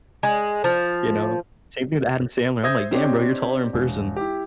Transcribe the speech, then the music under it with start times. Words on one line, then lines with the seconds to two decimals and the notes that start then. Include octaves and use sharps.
you know, same thing with Adam Sandler, I'm like, "Damn, bro, you're taller in person."
0.23 G#3
0.64 F3
2.63 C5 E5 D#6 G6 G#6 A#6
2.91 C4 D4 D#4 G4 C#5
3.73 E1
4.16 E4 G4